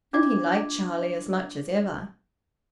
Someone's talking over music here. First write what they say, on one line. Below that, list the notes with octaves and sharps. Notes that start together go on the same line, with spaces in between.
And he liked Charlie as much as ever.
D4 F4 D6 G#6